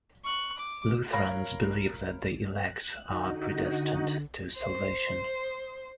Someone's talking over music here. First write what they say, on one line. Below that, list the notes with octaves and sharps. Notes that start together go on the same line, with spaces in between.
Lutherans believe that the elect are predestined to salvation.
C#6 F#6
D6
A#4 C#5 F5 B5 F6 A#6
F#6
D3 D#4 F#4
C5